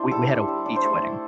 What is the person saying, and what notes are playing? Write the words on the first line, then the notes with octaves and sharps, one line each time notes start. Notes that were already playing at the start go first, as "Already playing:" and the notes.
we we had a beach wedding
Already playing: D4 E4 C5
G3 A4
D4
G3
D4
C5
A3 A4
E4